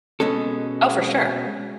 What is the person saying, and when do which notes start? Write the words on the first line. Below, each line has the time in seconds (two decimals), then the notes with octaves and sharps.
Oh, for sure.
0.20 B2 G#3 C#4 A4